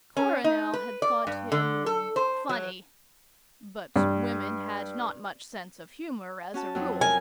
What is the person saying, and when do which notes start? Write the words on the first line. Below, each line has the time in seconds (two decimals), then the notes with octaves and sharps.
Coronel had thought him--funny; but women had not much sense of humour as a rule.
0.17 C#4
0.44 D#4
0.73 B4
1.02 D5
1.27 G2
1.52 D3
1.86 A4
2.16 C5
2.49 F#3
3.96 G2
6.54 C#4 F#4 A5
6.75 F2 F#3
7.01 A#4 G#5